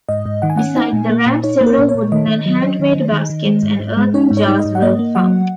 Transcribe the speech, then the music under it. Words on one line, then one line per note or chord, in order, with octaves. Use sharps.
Beside the ramp several wooden and hand-made baskets and earthen jars were found.
G#2 D#5
G#2
D#3 F#5
G#5
C#4 F#5
D#4 G#5
A#2
A#3
A#2
D#4 C#5
A#3
A#4
A#2
C#5
A#2
D#3 D#5
D#3
F#3
F#3
D#3
D#3
D#3
D#3
G#3
G#2
G#2
G#3
D#4 C#5
G#2
C#5
D#4
D#5
G#2
F#5
A#3 D#5
A#3
F#3 F#5